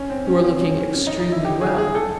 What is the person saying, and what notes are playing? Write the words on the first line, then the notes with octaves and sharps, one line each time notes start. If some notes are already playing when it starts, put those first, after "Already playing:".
You are looking extremely well.
Already playing: C#4
C4
C#4
C4
C#4
C#4
D#4
D#4
E4
G4
G#4
G#4
A4